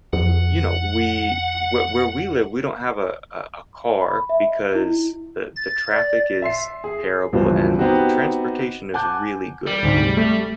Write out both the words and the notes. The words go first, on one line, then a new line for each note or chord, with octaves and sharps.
you know, we where where we live we don't have a a a car because the the traffic is terrible and the transportation is really good,
F2 F#5
B5
E5
D#5
E4
A6
D5
E5 C6 C7
G#4
C#2 G2 B2 E3 F3
B3 C4 D#4 F#4 G4
F#5 G#5 A5 D6 F#6 G6
G3
D2 G#2 C3
A3